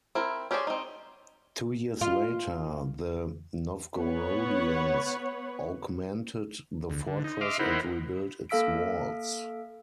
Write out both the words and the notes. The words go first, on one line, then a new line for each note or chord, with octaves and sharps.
Two years later, the Novgorodians augmented the fortress and rebuilt its walls.
C4 E4 A#4
C#4 G4 G#4 C5 D5
C4 D#4
F4
B3 B4 C#5 F#5
D2
D3
D#4
D#5 E5 C6 D6 F6
D#4 E4 A#4 C5 F#5 B5
A#3 A4 F5 E6 B6 D7